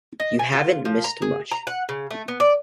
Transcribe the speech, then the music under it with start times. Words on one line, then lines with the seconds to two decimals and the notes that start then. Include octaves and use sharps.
You haven't missed much.
0.20 D#5
0.39 G#5
0.53 F4
0.85 F3
1.04 A#5
1.22 G#4
1.51 A#5
1.67 F#5
1.89 C#3
2.11 A3
2.28 B3
2.40 D5